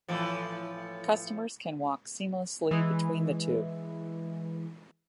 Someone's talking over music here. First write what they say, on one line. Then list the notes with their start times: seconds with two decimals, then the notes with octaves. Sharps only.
Customers can walk seamlessly between the two.
0.08 A2 E3 F3
2.71 E3 G#3